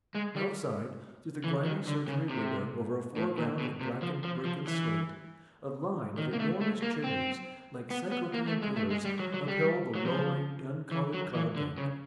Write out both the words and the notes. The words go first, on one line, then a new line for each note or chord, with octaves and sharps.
Outside, through the grimy surgery window over a foreground of blackened brick and slate, a line of enormous chimneys like Cyclopean pillars upheld the lowering, dun-coloured cloud-bank.
G#3
G3
E3
D#3
D3
C#3
C3
A2
A#2
B2
C3
F3
F3
F3
E3
D#3
A#3
A3
A3
A#3
C4
B3
B3
A#3
A3
G#3
A3
G#3
G3
F#3
F#3
G3
F#3
F3
E3
F#3
E3
D3
C#3